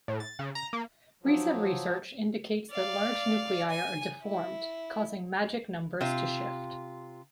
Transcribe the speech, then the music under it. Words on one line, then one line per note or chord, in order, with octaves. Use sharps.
Recent research indicates that large nuclei are deformed, causing magic numbers to shift.
A2
A6
C#3
A#5
A#3
F3 F#3
D5 F5
G#5
E4
C3 F4